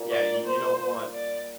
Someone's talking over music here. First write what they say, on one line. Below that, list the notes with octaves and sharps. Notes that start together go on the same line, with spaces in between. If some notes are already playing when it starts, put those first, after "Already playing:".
yeah, you you don't want
Already playing: A#2 G3 A#3
D5
C5
D5